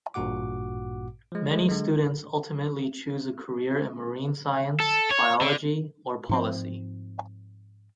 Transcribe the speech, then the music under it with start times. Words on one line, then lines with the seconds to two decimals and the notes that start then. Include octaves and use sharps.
Many students ultimately choose a career in marine science, biology, or policy.
0.14 A1 G2 A#2 F#4 F#5 D6
1.32 F3 G#3
1.51 G#3 A3
1.69 D3 G#3
4.80 A4
5.11 C#5
5.41 D3
6.29 G#2 F3 C4